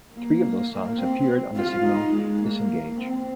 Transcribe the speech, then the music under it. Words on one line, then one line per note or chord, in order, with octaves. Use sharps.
Three of those songs appeared on the single "Disengage".
A#3
A#3
C4
F4
D#4
G#3
A#3
C4